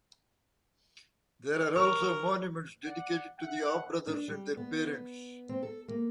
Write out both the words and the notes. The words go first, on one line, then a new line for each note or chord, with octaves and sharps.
There are also monuments dedicated to the Aw brothers and their parents.
A#4 C#6
D5 F#5
E5 F#5
D4
G3
B3
C4
A4
A#3